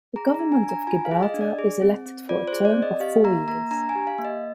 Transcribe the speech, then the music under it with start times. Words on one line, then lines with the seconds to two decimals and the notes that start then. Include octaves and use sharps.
The Government of Gibraltar is elected for a term of four years.
0.16 G#4 A#5
0.34 A#5
0.39 D4
0.52 G#5
0.63 D4
0.69 A#5
0.87 F4 G#5
1.05 F5
1.11 G#4
1.23 D#5
1.34 D4
1.41 D5
1.59 G#4
1.82 C4
2.06 C4
2.29 F4 D5
2.48 C5
2.53 G#4
2.65 D5
2.77 C4
2.82 D#5
3.00 G4 F5
3.24 A#3 A#5
3.48 A#3 A#5
3.71 D4 A#5
3.89 G#5
3.95 G4
4.07 F5
4.18 A#3
4.25 D#5